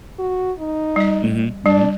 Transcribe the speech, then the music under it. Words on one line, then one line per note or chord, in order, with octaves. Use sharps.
Mhm, mhm.
F#4
D#4
G3 D#5
G3 D4